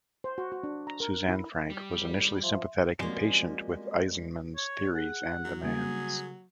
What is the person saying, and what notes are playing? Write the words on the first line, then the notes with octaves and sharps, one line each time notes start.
Suzanne Frank was initially sympathetic and patient with Eisenman's theories and demands.
C5
F#4
F#4
D4
A#5
A#4
E4
G3
G#1
F3 E5 C6
F3 G3 G#3 A#3 C4 C#4 F#4
C#5
G#4 F#5
F#3
C#3 G3 A#3 G#4